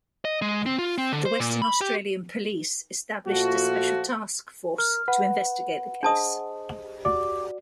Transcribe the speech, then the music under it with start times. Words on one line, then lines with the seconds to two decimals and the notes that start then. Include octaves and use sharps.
The Western Australian Police established a special task force to investigate the case.
0.25 D#5
0.42 G#3
0.66 C4
0.78 F4
0.98 C4
1.12 D3
1.25 C5
1.40 A#2
1.62 B5
1.81 G4
3.27 A#2 F3 A3 F#4
4.78 A#4 F6
5.08 B4 F#5
6.03 D4 G#4 C5 D#5 A5 D#6
7.05 F#4 D5 D6